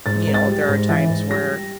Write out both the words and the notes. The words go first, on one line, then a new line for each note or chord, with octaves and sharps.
you know, there are times where,
G#2 A6
G#2
A6
G3
A#6
G#2
E3 A6
G#2
G3 A#6
G3